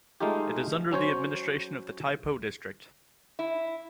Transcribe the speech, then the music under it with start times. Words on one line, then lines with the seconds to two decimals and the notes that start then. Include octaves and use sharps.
It is under the administration of the Tai Po District.
0.20 G#3 A3 D#4 F4 G4
0.91 F#3 C#4 C5 C#5
3.39 E4